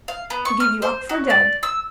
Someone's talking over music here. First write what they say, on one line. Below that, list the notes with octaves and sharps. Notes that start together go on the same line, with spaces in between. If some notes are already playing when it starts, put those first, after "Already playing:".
We gave you up for dead!
F5
B3
C#6
F6
C5
F#4
D5
E6